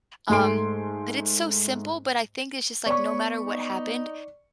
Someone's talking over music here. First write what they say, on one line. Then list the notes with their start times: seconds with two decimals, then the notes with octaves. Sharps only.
um, but it's so simple, but I think it's just, like, no matter what happened
0.30 G#2 A3 G#5 C6 D7
2.86 B3 B4 C#5 D5 C#6
3.46 D#4